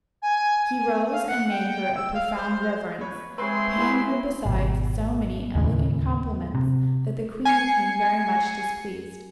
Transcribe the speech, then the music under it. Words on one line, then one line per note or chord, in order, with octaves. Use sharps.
He rose, and made her a profound reverence, paying her besides so many elegant compliments, that the queen became very much displeased.
G#5
G#5
F5
F#5
G5
E6
F5
C5
B4 C#5
G#3 C4 G#4 B4 C#5 E5 C6
E4 G#4 B4
G#1 B2
D1 D#2 A2 C#3
C3
G#5 C7 C#7